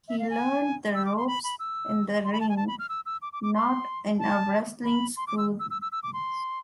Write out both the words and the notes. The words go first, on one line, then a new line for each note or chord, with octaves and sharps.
He learned the ropes in the ring, not in a wrestling school.
E5
F5
G#5
E6
D6
C6
B5
B5
E6
C6
B5
A5
G#5
A5
B5
F6
E6
E6
D6
D6
D6
C6
A5
B5
C6
D6
E6
E6
E6
E6
E6
D6
C6